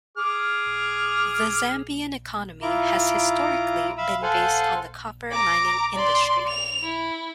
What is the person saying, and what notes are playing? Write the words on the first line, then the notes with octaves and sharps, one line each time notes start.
The Zambian economy has historically been based on the copper-mining industry.
G#4 D6 F6
E4 F4 A#5 D6
E5 F5 B5 E6
A4 C5 F5 F#5 G#5
A#5 D6
D5 C6
F7
E4